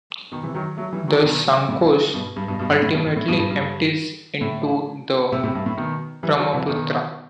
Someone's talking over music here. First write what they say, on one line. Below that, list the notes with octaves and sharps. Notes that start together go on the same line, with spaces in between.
The Sankosh ultimately empties into the Brahmaputra.
B2 D#3
C3 E3
D#3 F#3
F#3 A3
E3 G3
D#3 F#3
B2 D#3
A2 C3
G2 B2
G2
G2 B2
G2 B2
G2
A2
G2 B2
A2
G2 B2
G2
G2
A2
A2 C3
A2 C3
G2
A2
B2 D#3
E3 G3
D#3 F#3
C3 E3
B2 D#3